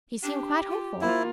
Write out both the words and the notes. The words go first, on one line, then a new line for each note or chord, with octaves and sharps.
He seemed quite hopeful.
D4 G4
F4
A#3 E4 F4 C5